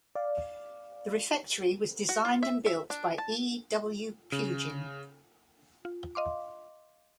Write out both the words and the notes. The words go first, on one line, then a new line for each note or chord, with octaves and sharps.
The Refectory was designed and built by E. W. Pugin.
D5 F5
F#4
F4
E5
E5
D4
A5
C#3
F4
D#5 F5 C6 D6